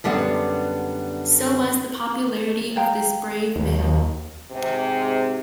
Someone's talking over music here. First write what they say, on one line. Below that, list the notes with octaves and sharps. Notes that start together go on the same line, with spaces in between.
So was the popularity of this brave man.
F#2 D3 G3 B3 D4 F#5
F5 G5 A#5
D#2
G#2 C3